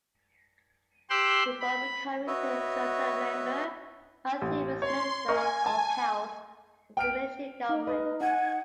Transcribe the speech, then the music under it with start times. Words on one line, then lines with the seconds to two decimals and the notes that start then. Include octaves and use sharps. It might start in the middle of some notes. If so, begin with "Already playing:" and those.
Before becoming a junta member, Matthei was Minister of Health of the military government.
1.10 G4 C5 G5 C6 E6 F#6
1.60 B5
2.27 F#4 B4 C#5 D#5 E5
4.41 A1
4.82 C#5 C6
5.28 A#4 D#5 G#5 C#6
5.66 A5
6.97 G5 F6 D7
7.69 D#4
7.87 B4 D#5
8.21 D#4 F#5 G#5